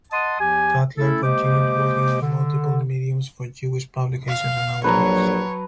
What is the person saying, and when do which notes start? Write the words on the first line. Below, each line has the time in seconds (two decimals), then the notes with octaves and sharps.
Cutler continued working in multiple mediums for Jewish publications and outlets.
0.12 D#5 F#5 A5 C6 D#6
0.40 E2 F3 G4 G#5
0.97 A3 C#4 E4 A4
1.23 G#3 A#3 G4 C5 D#5 D6
2.21 D3
4.28 F5
4.84 A#1 F#3 B4 C#5 A5 A#5